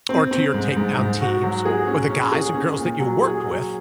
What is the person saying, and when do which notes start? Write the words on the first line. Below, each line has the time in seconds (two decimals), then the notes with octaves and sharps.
or to your takedown teams, or the guys and girls that you worked with
0.09 C4
0.31 C4
0.54 G#2
0.76 G#2
0.99 G#2
1.21 F#4
1.43 F#3
1.65 G#4
1.87 C#4
2.10 C#4
2.32 G#4
2.54 C#4
2.77 A#2
3.00 F#3
3.22 G#4
3.44 F#3